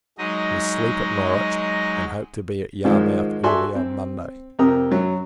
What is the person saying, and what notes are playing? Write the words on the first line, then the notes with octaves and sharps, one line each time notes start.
We sleep at Norwich, and hope to be at Yarmouth early on Monday.
F#3 G#3 D#4 D#5
G#2 D#3 F3 G#3
F#4 A4 D5 E5 G#5 C6
C4
F2 C3 G4 A#4 A#5 D#6
F#2 F#3 C#4